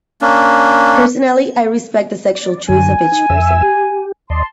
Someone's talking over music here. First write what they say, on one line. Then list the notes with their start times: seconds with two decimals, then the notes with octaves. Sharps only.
Personally, I respect the sexual choice of each person.
0.21 A#3 C#4 D4
2.35 D5
2.69 F#2 D3 F#3 G#5
3.12 D#4
3.30 F2 E5 E6
3.62 G4
4.30 D#2 D5 D#5 A5 C6